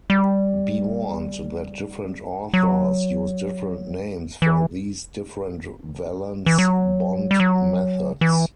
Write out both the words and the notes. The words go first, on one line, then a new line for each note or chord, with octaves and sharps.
Be warned that different authors use different names for these different valence bond methods.
G3
F#3
E3
E3
F#3
G3
F#3
E3